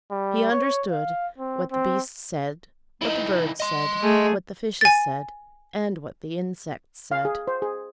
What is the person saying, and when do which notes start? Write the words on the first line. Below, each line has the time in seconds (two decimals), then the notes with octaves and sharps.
He understood what the beasts said, what the birds said, what the fishes said, and what the insects said.
0.11 G3
0.51 C#5
0.90 F5
1.38 C4
1.72 C4
3.02 E3 D#4
3.60 D#5 C6
4.02 A3 G#4
4.81 G#5 A6
7.12 F5
7.25 G#4
7.47 C5
7.62 G#4